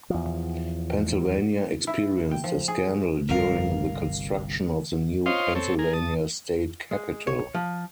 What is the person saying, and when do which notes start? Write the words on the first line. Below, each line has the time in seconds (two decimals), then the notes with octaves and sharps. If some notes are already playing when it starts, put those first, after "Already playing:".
Pennsylvania experienced a scandal during the construction of the new Pennsylvania State Capitol.
0.10 E2 F3
1.87 E4
2.31 G5
2.44 F3
2.68 G#4
3.29 G1 C2 G2 A#4 F5
5.26 F4 C5 C#5 D#5 F5 C6
5.55 C4 A4 C#5
5.79 G#4 A#4
5.93 A5 D#6
6.91 G#3
7.27 C#5
7.54 F3